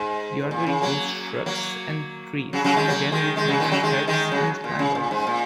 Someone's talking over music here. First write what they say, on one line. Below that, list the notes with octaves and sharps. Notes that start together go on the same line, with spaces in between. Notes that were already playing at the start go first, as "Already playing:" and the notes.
The order includes shrubs and trees, together with many herbs and climbers.
Already playing: G#2
A#2
C#3
F#3 A#3
F#3 A#3
C#3 F#3
C#3 F#3
D#3 G#3
F#3 A#3
D#3 G#3
D#3 G#3
C#3 F#3
A#2 D#3
C#3 F#3
D#3 G#3
D#3 G#3
C#3 F#3
A#2
C#3
A#2
G#2
A#2